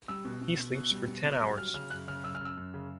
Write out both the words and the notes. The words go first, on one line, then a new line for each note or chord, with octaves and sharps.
He sleeps for ten hours.
G3 E6
B2
B2
B2
B2
G3
B2
B2
G3
F#3 F6
C#3 F6
F#2 F#6
C#3 F6
F#2 E6
F6
F#2 E6
F#2
C#3